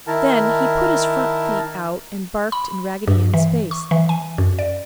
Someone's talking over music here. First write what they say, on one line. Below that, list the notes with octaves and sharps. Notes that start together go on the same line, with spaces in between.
Then he put his front feet out and barked in Raggedy Ann's face.
D#3 E4 A#4 A5
B5
G2
E3
C#6
E3
G#5
F#2
D5